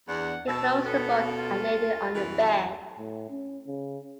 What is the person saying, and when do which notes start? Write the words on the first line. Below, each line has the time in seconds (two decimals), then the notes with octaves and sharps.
He closed the book, and laid it on the bed.
0.08 E2 D4 F#5
0.48 B2 A5 E6
0.85 B3 A4
1.37 F4
2.15 F#2 B2 E3
2.98 A2
3.30 C#4
3.67 C#3